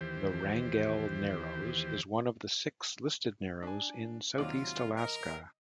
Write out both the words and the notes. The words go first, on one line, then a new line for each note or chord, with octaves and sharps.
The Wrangell Narrows is one of the six Listed narrows in Southeast Alaska.
D#2 E3 G4 C5
D4 G#5
D#2 C3 F#3 F4 D5
A#4 D#5